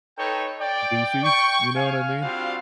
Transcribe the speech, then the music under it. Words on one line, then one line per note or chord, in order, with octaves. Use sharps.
goofy, you know what I mean?
D#4 A4 B4 C#5 G5
D5 G5
G5 C#6
F5 G#5
G3 C4 D4 F4 F#4 F5